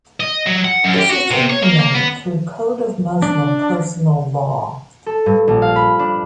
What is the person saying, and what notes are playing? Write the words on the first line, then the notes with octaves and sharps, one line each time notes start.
This is implemented through Code of Muslim Personal Law.
D#5
F#3
F#5
F#2
G4
F#4
C3
C#5
A#3
A#3
B3
D4
A4
G2
A#1
F5
B5
D4